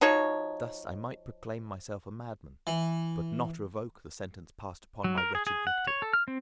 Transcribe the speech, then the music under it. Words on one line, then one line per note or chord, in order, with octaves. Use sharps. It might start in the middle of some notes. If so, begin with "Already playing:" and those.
Thus I might proclaim myself a madman, but not revoke the sentence passed upon my wretched victim.
F3 D#4 F#4 C#5
E3
F#3
A#4
G#4
G#4
F#5
C#5
A4
F6
C4